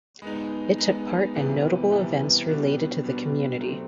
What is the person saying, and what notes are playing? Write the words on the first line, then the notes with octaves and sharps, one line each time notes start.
It took part in notable events related to the community.
G#3 B3 D#4
G#3 B3 D#4
C3 E3 G3 B3
C3 E3 G3 B3
B2 G3 B3 D4 F#4
B2 G3 B3 D4 F#4
F#3 A3 C4